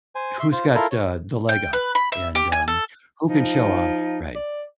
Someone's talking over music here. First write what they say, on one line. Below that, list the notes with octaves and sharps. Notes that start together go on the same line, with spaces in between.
who's got the the leg up and, um, who can show off, right.
C5 G#5
E5 C6
F4 C5
E4 F4 A4 A#4
C#5
G5
B4
B5
E5
G4
G#5
A4
F3 D#4
D5